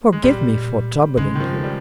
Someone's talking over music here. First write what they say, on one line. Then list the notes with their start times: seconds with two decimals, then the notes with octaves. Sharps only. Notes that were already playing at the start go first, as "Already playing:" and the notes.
"Forgive me for troubling you..."
0.13 G#3
0.23 A#2 G3
1.17 C#3 G#3
1.35 D#3
1.40 F3
1.64 G3